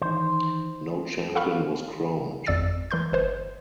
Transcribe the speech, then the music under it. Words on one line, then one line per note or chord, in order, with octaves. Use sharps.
No champion was crowned.
D#3 E3 D#4 C5
A4 F5 F#5 B5 C#6 F6
G#1 F2 D5 E6 A6
E3 A#4 C6 G6
G1 B4 C5